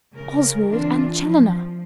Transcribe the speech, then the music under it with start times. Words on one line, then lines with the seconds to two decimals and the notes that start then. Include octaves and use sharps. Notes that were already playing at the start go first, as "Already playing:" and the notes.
Oswald and Challoner!
0.14 C#3 A#4
0.67 E3 C4 D4 F4
1.17 F3